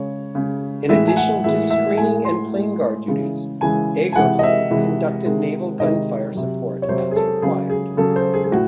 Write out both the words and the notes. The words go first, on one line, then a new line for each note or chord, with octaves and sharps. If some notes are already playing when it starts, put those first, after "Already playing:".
In addition to screening and planeguard duties, "Agerholm" conducted naval gunfire support as required.
Already playing: C#3 G#3 C#5
C#3 G#3
A2 E3 G#3 E5
G#5
F#5
A2 E3 G#3 E5
E5
A2 G#3 G#5
C6
A2 G#3
C#3 E3 G#3
C#3 E3 G#3 G#5
G#5
C3 E3 G#3 F#5
D#5
E5
C3 E3 G#3
C3 D#3 G#3
C3 D#3 G#3 D#5
C3 F#3
C#5
C3 F#3 C5
G#4
A4
C#3 F#3 G#4
G#4
C#3 F#3 A4
C5
G#4
G#4
A2 F#4